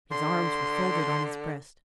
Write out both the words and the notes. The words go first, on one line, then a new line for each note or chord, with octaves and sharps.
His arms were folded on his breast.
D3 C6